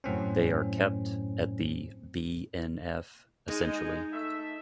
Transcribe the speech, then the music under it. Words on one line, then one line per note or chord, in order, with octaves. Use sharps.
They are kept at the BnF essentially.
F#2 A2 C4 C#4
G#3 D#4
A3 E5